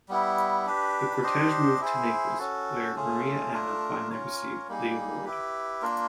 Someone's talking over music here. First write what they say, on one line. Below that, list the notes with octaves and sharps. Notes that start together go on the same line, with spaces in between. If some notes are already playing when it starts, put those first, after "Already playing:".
The cortege moved to Naples, where Maria Anna finally received the award.
G3 B3 E4
D4 G4 B4
D4 G4 C5 D#5
E4 G#4 C5
C#4 F#4 A4
A3 C#4 F4 G#4
A3 D4 F4 A#4
C#4 F4 A#4 C#5
G3 A#3 D#4 G#4
E4 G4 B4
A#3 D4 F4 A#4